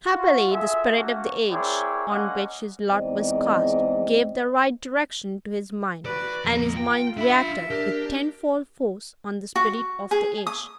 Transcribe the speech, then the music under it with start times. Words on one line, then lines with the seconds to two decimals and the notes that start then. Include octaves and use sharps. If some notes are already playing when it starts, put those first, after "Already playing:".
Happily the spirit of the age on which his lot was cast, gave the right direction to his mind; and his mind reacted with tenfold force on the spirit of the age.
0.12 F4 F#4
0.50 F4 G#4 A4 E5
0.96 A3 A#3 C#4 F#4
1.50 C4 E4 G#4 A#4 C#5 D5
2.08 G#3 A#3 C#4 D4 D#5 F#5
2.91 E2 G#2 C4 D5 D#5
6.06 F#4 B4 D5
6.45 F2 A#3 B3 A#5
6.77 F4 G5
7.17 D4 E5 B5
7.70 D4 G4 A#4
9.56 F#4
10.11 G#4
10.47 D#6